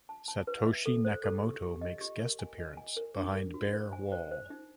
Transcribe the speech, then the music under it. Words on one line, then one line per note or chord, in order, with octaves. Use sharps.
Satoshi Nakamoto makes guest appearance behind Bear Wall.
A5
A5
B4
E5
A4
C5
A4
G4
G4
D#5
G4
A#4
G#5
D#5
G#5
A#4
D4
A#4
F#4
C5
G#5
C5
C5
D#4